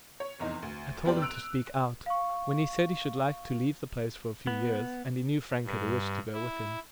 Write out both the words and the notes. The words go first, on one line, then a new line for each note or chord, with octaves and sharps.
I told him to speak out, when he said he should like to leave the place for a few years, and he knew Frank had a wish to go with him.
C#5
F1 E2 D#4
D2
F1 B3 G4 D5
E6 F#6 D7 F7
F5 C#6
B3
G2
E4